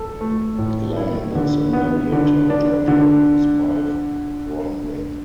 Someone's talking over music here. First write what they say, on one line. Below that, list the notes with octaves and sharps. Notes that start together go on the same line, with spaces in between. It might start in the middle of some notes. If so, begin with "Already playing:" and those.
Lang lives in Marietta, Georgia with his wife, Bronwyn.
Already playing: A4
A3
A2
E4
D3
B3
D3
D4
D3